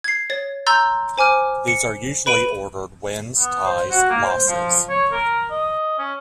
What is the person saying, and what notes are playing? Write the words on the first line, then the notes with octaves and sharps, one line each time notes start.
These are usually ordered Wins-Ties-Losses.
G#6 C7
C#5 A6
A#5 C6 E6 G6 A6
C5 G#5 D6 F6
C#7
B4 B5 D7 D#7 F#7
B3
C5
F#4
A#3
C5
F3
C#5
A#4
D#5
C#4